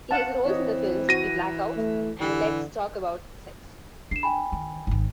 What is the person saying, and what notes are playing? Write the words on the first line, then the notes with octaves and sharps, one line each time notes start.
He has roles in the films "The Blackout" and "Let's Talk About Sex".
F5 F#5 A5
E3 C4 C#5 D#5
F#4 A#6 D#7
A3
D3 E3
D4 C7 E7
G5 G#5 B5
D#3
G#1 D#3